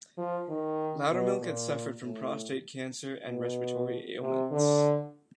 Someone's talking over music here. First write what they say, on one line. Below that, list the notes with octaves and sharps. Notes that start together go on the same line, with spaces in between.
Loudermilk had suffered from prostate cancer and respiratory ailments.
F3
D#3
B2
A#2
A2
B2
C3
D3